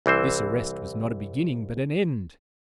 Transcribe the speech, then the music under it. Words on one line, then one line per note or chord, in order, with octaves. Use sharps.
This arrest was not a beginning, but an end.
C2 E3 C4 C5